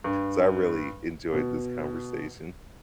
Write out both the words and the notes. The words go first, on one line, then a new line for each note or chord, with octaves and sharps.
so I really enjoyed this conversation.
G2
B2